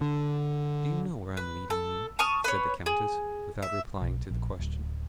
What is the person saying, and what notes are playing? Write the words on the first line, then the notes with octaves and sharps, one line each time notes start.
"Do you know where I am leading you?" said the countess, without replying to the question.
D3
B4
A4
A5 C#6 D#6 F6
B4 C#5
G#4
E5
B1
A#1
D1